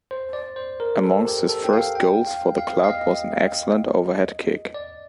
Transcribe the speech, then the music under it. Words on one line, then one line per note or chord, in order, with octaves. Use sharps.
Amongst his first goals for the club was an excellent overhead kick.
C5
D5
C5
A#4
A4
G4
A4
G5
F5
G5
F5
F5
F5
D#5
D5